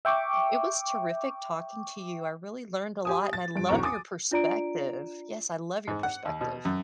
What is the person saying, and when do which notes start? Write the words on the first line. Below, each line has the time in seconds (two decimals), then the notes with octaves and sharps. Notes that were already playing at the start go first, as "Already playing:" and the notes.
it was terrific talking to you I really learned a lot and I love your perspective yes, I love your perspective.
0.05 E5 G5 C#6 D6
3.05 G4 G#5 D#6
3.33 A6
3.56 G2 D7
3.69 B1 E2 C4 A#5 C#6
3.83 G#5 D6 D#6 A6
4.31 D4 F4 D5 A#5 D7
5.87 G#2
6.03 F#5
6.25 D#2
6.41 B2
6.65 F#2